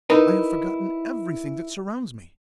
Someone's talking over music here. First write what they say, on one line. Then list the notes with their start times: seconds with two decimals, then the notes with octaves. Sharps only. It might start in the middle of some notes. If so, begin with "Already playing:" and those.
I have forgotten everything that surrounds me.
0.10 D#4 E4 A#4 B4